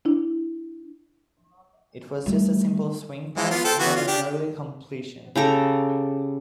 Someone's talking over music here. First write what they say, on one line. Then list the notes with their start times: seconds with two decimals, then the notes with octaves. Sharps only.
It was just a simple swing pass to get an early completion.
0.05 D4 E4
2.26 G3 A3
3.37 E3 G#3
3.50 B3 F4
3.65 A4 C5 G5
3.79 E3 B3 F#4
3.96 F4
4.08 D4 G4
5.36 C#3 G4 A4 A#5